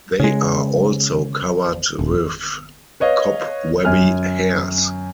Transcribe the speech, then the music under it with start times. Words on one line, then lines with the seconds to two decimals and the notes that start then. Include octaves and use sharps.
They are also covered with cobwebby hairs.
0.20 C#3 G#3
1.99 D#1
3.00 B4 C#5 D#5 F5
3.85 F#2 G#5 F6